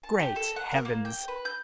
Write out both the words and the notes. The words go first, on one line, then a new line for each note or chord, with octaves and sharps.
Great heavens!
A5
G4
A4
F#5
A#4
A#3
G5
B4
G6